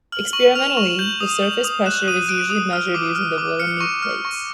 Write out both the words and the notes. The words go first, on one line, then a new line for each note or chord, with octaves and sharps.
Experimentally, the surface pressure is usually measured using the Wilhelmy plate.
F6 F#7
C#6 F#7
F6 F7
E7
C#6
E7
G6 F#7
D#6
G6
D#6
F#6 E7
D#6 D#7
F#6 D7
D#6
F6
D6
F6
D6
F6 C#7
C#6
F6
C#6